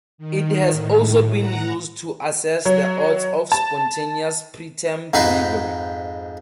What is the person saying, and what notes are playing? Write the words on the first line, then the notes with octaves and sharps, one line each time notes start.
It has also been used to assess the odds of spontaneous preterm delivery.
D#3
A2
F#5 A#5
F#3
A5
F2 G#2 D#4 G#4 B4